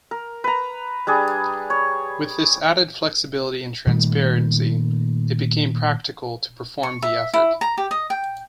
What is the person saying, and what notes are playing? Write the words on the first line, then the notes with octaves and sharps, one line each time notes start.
With this added flexibility and transparency, it became practical to perform the effort.
A#4
B4 A#5
G3 D4 G#4
C#5
A#2 D#3 G3 A3
C#6
E5
E4
A#5
G4
D#5
G5